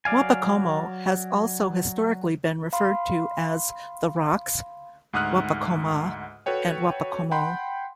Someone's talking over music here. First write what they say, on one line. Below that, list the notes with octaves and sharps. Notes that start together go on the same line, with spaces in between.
Wappocomo has also historically been referred to as The Rocks, Wapocoma, and Wapocomo.
F#3 D5 F5 G#5
F5 B5 C6
D2 G#2 F#5 D#6 F6 F#6
F#4 A4 B4 C#5 G5
F#5 G5 B5 C6